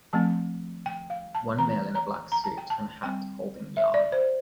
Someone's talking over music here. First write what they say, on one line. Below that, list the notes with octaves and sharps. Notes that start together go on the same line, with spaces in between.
One male in a black suit and hat holding yarn.
F3 A3 C4 A5
G5
F5
A5
E3 A3 C4 A#5
A#5
A#5
A5
G5
A5
G3 C4 G5
E5
D5
C5